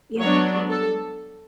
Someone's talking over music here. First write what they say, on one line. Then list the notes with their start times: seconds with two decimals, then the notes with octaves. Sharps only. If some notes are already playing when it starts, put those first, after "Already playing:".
Yeah, absolutely.
0.20 F#3 B3 D4 C#5
0.70 A4